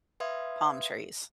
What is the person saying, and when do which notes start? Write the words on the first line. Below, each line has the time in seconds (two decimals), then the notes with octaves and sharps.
palm trees.
0.20 B4 E5 F5 C6 D#6 G#6